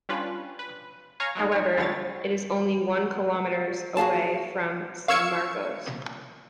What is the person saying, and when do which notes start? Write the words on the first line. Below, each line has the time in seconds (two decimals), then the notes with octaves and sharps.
However, it is only one kilometers away from San Marcos.
0.09 G3 C#4 D4 F4 B4
0.59 B4
1.20 C#5 F5 G#5 A#5 C#6 F6
1.35 F#3 G#3 A#3 D#4
1.52 D#4 C#5
1.76 E2 D3 G3 C#5 A6
3.97 F#4 G#4 F5 A5
5.08 F5 C#6 E6 G#6 C#7